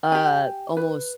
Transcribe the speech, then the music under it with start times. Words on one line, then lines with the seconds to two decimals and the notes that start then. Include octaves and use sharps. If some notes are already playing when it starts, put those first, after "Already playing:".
uh, almost,
0.12 G4 G#5
0.77 B4